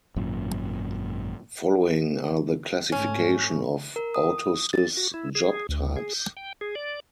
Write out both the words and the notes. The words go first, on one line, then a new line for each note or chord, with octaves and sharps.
Following are the classification of autosys job types.
G#1 F#2 A#2
G#2 A3 C#4
A#4
D#6
A6
F#4
E4
G#4
D2
G#4
G6
G5
G#4
D5